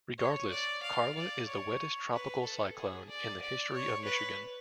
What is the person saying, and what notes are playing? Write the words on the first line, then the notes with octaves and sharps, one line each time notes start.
Regardless, Carla is the wettest tropical cyclone in the history of Michigan.
C#5
D5
F5
D5
C#5
B4
A4
G#4
D5
D5
C#5
B4